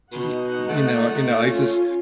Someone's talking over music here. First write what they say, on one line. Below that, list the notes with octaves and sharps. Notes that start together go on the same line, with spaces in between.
y y you know you know, I just
B2 D#4 F#5
A3
C#4 F4